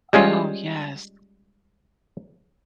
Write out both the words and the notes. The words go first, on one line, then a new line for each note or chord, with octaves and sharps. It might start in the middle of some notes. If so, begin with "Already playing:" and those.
Oh, yes.
G3 G#3 C#4 F4